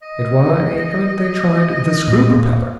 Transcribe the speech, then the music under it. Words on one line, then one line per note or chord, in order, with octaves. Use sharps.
And why haven't they tried the screw-propeller?
D#5
A#2